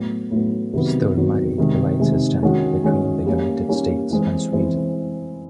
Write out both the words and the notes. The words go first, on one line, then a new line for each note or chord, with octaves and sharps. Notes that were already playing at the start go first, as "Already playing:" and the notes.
Stormare divides his time between the United States and Sweden.
Already playing: A2 F#3 B3
A2 F#3 B3
C3 D#3 F#3 B3
C3 D#3 F#3 B3
C3 D#3 G#3
C3 D#3 G#3
D#3 G#3 C#4 F#4
D#3 G#3 C#4 F#4
G3 A#3 C#4
G3 A#3 C#4
E3 G#3 C4
E3 G#3 C4